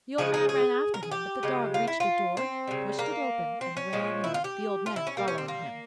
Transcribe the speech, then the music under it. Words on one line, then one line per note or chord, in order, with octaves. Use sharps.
The old man ran after him, but the dog reached a door, pushed it open, and ran in, the old man following him.
C#3 F3 G#3 G#4
G#4
G#4
A#4
G#4
G4
C#3 F3 G#3
F4
E4
F4
C4
C#3 G3
A#3
C4
C#4
A#2 F3 G#3
E4
F4
G4
F4
E4
C#4
A#2 G3 A#3
C#4
C4
A#3